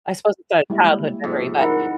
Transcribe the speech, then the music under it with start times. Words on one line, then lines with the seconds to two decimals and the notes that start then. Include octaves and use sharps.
I suppose it's a childhood memory, but
0.70 G3 G#3 A#3 E4
1.24 F2 G#2 C3
1.59 D#4 E4 A#4 F#5